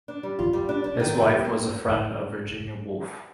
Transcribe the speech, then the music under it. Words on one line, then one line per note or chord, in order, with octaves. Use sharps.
His wife was a friend of Virginia Woolf.
D4
G3
F4
G3
D4
D4
D#3
C4
G3
A#3